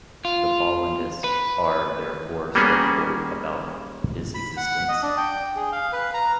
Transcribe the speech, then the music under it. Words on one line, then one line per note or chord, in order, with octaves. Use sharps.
The Bollandists are therefore skeptical about his existence.
F4
B4
G3 A#3 B3 C#4 F#4 G#4
B5
F#5
D#5
D4
G5
G#4
F5
B4
A#5